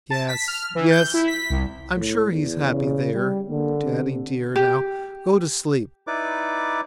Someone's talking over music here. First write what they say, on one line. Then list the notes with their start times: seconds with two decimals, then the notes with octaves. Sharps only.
"Yes, yes, I'm sure he's happy there, Taddie dear; now go to sleep."
0.10 A5
0.28 B6
0.48 F6
0.75 E3
0.91 G6
1.14 E4
1.27 B6
1.50 C2
1.97 A2
2.32 E2
2.68 C#3
3.13 G3
3.49 D3 A#3
3.82 C3
4.56 G4
6.07 D#4 E4 B4 D5 D6